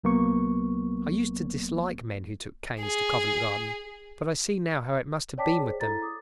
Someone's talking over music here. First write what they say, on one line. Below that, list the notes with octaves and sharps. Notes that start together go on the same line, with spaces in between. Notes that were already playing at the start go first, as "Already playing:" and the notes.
I used to dislike men who took canes to Covent Garden, but I see now how it must have been with them.
C2 F#3 A#3 B3 C#6
G#4
C#5 D5 G5 A5 D6 B6
G#4 C5
E4 A4 A#5 A6
D6 D#6